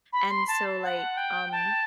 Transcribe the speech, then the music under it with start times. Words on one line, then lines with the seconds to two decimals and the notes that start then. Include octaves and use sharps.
and so, like, um
0.13 B5
0.31 C6
0.48 A5
0.83 F#5
1.17 G5
1.52 A5